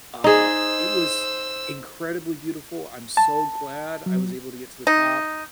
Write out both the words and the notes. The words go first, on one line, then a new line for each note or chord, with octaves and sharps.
Uh, it was incredibly beautiful. I'm so glad I was able to get to the top,
D#4 G#4 C5 E6
A5
F#3
D#4